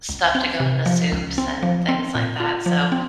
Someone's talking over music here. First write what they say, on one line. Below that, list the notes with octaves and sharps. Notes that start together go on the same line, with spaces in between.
stuff to go into soups and things like that, so
C#2
C4
C3
F3
C#2
C4
F3
C4
A#2
F4
F3
C4